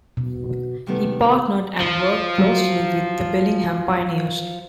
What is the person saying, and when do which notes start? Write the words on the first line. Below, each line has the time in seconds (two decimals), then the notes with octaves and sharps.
He partnered and worked closely with the Bellingham pioneers.
0.17 B2
0.87 C3 D#3 G3 A3 B3
1.80 F3 G7
2.38 F#3